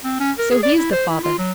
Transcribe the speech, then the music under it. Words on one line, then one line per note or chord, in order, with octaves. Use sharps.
"So he is the father."
C4
C#4
A#4
G#4
D5
E4
C5
E4
F4
F#3